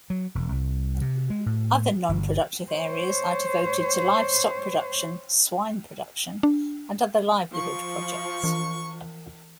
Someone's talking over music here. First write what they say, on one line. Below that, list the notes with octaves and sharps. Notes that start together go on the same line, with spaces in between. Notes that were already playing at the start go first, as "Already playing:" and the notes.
Other non-productive areas are devoted to livestock production, swine production and other livelihood projects.
F#3
E1
C2
C3
G#3
A2
G1
C5 C#5
D4
F3 C#6
E3